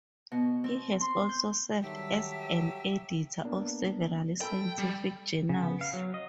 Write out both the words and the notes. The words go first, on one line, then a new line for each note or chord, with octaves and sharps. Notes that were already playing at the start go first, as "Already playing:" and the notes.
He has also served as an Editor of several scientific journals.
B2
C4
C6
G6
D#3 F#3 G3 G4 A4 E5
A#3 B3 D4
A4 G5 B5 E6
G3
C#3
B3
F5
F#3
D#5